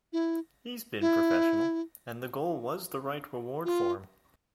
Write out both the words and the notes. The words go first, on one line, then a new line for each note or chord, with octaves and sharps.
He's been professional and the goal was the right reward for him.
E4
E4
F4